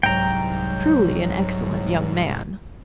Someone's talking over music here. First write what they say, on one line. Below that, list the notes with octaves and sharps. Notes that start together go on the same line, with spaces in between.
Truly an excellent young man.
C2 G#2 F#3 G5 A#5